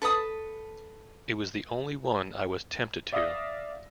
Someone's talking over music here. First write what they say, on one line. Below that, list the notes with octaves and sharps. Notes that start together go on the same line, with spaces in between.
It was the only one I was tempted to ...
A4 B4 A5 D#6
D5 E5 F5 D#6 E6 A#6